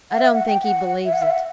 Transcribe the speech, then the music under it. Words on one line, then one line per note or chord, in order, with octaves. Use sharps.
I don't think he believes it.'
F#5
E5
F#5
G5
F#5
E5
F#5
E5
F#5